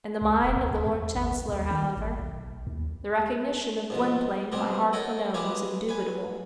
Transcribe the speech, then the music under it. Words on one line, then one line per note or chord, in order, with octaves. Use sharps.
In the mind of the Lord Chancellor, however, the recognition of Gwynplaine by Hardquanonne was indubitable.
C#2
E1
D2
D2
E2
G#1
B1
D#2
D#3
G#1
B1
D#2
G#2 B2 F3
B2 F#3 G3 C4 G#4
A4 A#4 C#5 D#5 F#5
G3 G#3 D4 G#4 B4 F5
B4 G#5